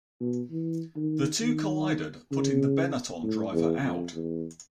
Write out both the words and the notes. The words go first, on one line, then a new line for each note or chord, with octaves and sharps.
The two collided, putting the Benetton driver out.
B2
E3
D#3
D#3
C#3
A2
E2
F2
E2